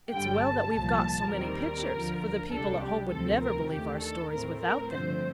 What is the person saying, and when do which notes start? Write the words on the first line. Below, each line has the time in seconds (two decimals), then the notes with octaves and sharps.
"It's well that we've got so many pictures, for the people at home would never believe our stories without them."
0.11 G1 G2 D3 G3 G5
0.41 A5
0.71 C2 A#2 F3
1.31 D#2 D#3 G3 C4 A#4
1.91 D2 D3 F3
2.51 C2 C3 G3 D4 A4
2.81 G4
3.11 D2 C3 F3 C4 A4
3.41 A#4
3.71 D#2 D#3 A3 D4 G4
4.01 A4
4.31 A2 A3 C4 A#4
4.61 A#4
4.91 G2 D3 F3 A3 C4 C5